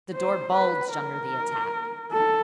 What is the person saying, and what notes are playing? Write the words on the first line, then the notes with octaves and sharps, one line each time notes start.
The door bulged under the attack.
C5
B4
A#4
A4